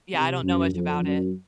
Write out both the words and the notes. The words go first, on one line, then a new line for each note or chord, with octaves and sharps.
Yeah, I don't know much about it.
C3
F#2
F2
F#2